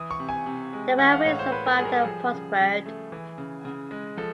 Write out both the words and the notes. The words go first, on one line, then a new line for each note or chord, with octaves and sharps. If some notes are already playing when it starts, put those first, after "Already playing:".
The railway survived and prospered.
Already playing: E3 D#6
C#6
C3
G#5
C3
G#3
E3 F#5
F5
A2 C#5
C5
A#3 B4
A#4
G3 G#4
A#4
A4
F3 G#4
C#3
C#3
A3
E3
C#3
C#3
G#3
F3 A4